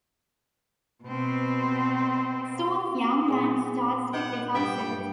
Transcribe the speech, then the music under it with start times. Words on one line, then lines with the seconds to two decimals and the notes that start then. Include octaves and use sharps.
Soon the young man starts to get upset.
1.03 B2 C4
3.28 A#2 F#3 G#4 G#5 C#6
4.13 B4 D#5 F#5 G5
4.55 G2 D5 E5 G5 B5